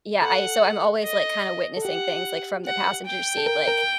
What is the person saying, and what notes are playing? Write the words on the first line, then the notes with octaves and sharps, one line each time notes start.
yeah, I so I'm always, like, kinda witnessing things, like, from the passenger seat, like,
A4 F#5
D#5
A4
G4 F#5
F#5
G5
A4
A#4
A#4